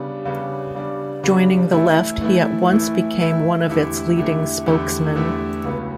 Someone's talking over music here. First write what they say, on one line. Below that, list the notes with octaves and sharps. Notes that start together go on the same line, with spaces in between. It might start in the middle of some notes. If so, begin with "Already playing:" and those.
Joining the Left, he at once became one of its leading spokesmen.
Already playing: C#3 G3 B3 D4
C#3 G3 B3 D4
C#3 G3 B3 D4
C#3 G3 B3 D4
A2 E3 A3 E4
A2 E3 A3 E4
A2 E3 A3 E4
A2 E3 A3 E4
E2 D3 A3 E4 G4
E2 D3 A3 E4 G4
E2 D3 A3 E4 G4
E2 D3 A3 E4 G4
C#2 C#3 F#3 B3